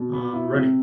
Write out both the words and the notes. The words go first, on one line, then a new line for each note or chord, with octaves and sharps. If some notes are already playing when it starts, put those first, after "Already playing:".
um, running
Already playing: B2
B3
E4
C3